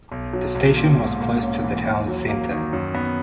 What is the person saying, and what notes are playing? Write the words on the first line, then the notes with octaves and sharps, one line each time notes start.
The station was close to the town centre.
B1
F#3
B1
A#2
G#2
A#3
C#4
E3
D#2
F#3
A#3
D#3
F#2
B3